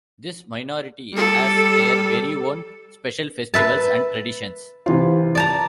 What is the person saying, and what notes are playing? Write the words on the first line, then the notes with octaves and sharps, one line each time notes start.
This minority has their very own special festivals and traditions.
G3 A4
B4 E5 A5
C3 E3 F4
D5 A5 A#5